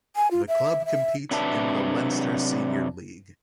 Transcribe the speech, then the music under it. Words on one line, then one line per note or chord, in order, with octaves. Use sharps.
The club compete in the Leinster Senior League.
G#5
F4
E5
E5
C3 F#3 D4 B4 E5 A5